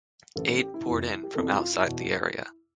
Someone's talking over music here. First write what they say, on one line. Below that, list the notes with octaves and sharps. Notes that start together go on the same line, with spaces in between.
Aid poured in from outside the area.
A1 A2 E3 A4
A4
G4
E4
F1 F2 C3 E3 E4
E4
E4
G4
F1 F2 C3 E3 A4
G4
F4
E4
E2 B2